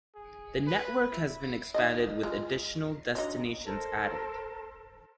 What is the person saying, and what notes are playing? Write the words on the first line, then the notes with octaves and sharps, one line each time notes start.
The network has been expanded with additional destinations added.
G#4
B4
E4
D#4 D5 D#5
G#3 F4
F#3 D4 D#4
A4 A#4 C5